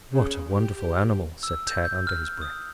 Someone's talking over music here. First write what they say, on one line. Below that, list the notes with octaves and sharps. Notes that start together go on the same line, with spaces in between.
"What a wonderful animal!" said Tad under his breath.
C#3
G4
E6
G6
G6
F6
D#6